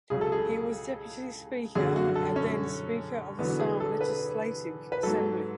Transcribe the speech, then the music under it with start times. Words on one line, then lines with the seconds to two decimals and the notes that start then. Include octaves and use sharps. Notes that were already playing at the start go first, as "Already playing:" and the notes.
He was Deputy Speaker and then Speaker of Assam Legislative Assembly.
0.10 C#2 C#3 F#3 G#4
0.21 A4
0.32 G#4
1.75 F#2 D3 F#3 G#4
1.96 F#4
2.15 A4
2.36 C#4
3.38 E2 D3 F#3 B3
3.60 G#4
3.80 A4
4.01 B4
4.92 B4
5.03 G#2 F#3 A4